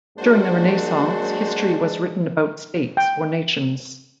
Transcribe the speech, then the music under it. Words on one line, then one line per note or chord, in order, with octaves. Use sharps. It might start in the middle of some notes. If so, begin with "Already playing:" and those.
During the Renaissance, history was written about states or nations.
F#2 F#3 G#3 A#3 D4 F#4 C5
G5